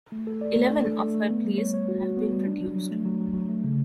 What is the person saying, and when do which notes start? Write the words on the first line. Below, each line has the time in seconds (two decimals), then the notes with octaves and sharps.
Eleven of her plays have been produced.
0.12 A3
0.27 A4
0.41 D5
0.56 A3
0.70 D4
0.85 A4
1.00 A3
1.14 A3
1.30 B3
1.44 G3
1.58 C#5
1.74 C#5
1.88 F#4
2.02 F#4
2.17 B3
2.32 G3
2.47 D4
2.61 F#3
2.76 F#3
2.91 A3
3.05 F#3
3.20 F#3
3.34 F#3
3.49 A3
3.64 C#3